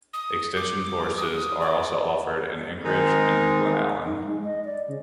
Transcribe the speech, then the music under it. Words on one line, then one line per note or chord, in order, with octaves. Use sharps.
Extension courses are also offered in Anchorage and Glennallen.
D#6
D6
D#6
D5
D#3 G#3 C4 D#4 A#4
D#4
G#3
D#5
D5
C#3